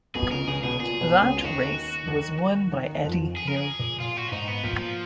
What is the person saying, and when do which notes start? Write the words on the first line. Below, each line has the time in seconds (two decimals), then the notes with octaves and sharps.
That race was won by Eddie Hill.
0.15 B1 B2 G#4
0.31 C#2 C#3 A#4
0.47 C#2 C#3 G#4
0.64 B1 B2 G#4
0.80 A#2 G#4
1.01 B1 B2
1.22 C#2 C#3
1.37 F4
1.44 D#2 D#3 F#4
2.07 D#2 D#3
2.71 D#2 D#3
3.04 F2 F3
3.36 G#4
3.47 A#4
3.57 G#4
3.79 A#2
4.00 A#2 F4
4.17 F#4
4.28 C#4
4.32 G#2 D#4
4.48 B3
4.64 A#2 F3